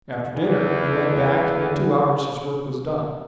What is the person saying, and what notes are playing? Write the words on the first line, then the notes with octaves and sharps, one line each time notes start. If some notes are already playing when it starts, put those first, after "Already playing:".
After dinner he went back and in two hours his work was done.
E2